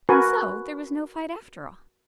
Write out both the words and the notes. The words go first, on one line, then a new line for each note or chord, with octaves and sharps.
And so there was no fight after all!
F#4 A#4 B4 G#5